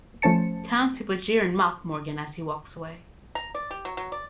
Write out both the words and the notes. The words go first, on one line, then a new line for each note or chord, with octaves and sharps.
Townspeople jeer and mock Morgan as he walks away.
F3 A3 C#4 C5 A5 C#7
A#5
D5
G4
F#3
F#3
D5